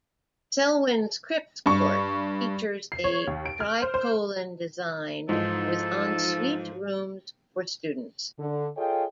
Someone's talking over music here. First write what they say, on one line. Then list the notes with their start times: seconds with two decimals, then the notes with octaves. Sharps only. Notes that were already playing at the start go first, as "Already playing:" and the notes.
Selwyn's Cripps Court features a tricolon design with ensuite rooms for students.
1.66 G2 C#6
2.92 C7
3.04 C#5
3.27 D#2
3.45 D7
3.60 F6
3.82 C5
3.94 C5
5.29 G#2 E3 F3 D#4 A4
8.39 D3
8.77 F4 G#4 A4 C#5 D#5 G5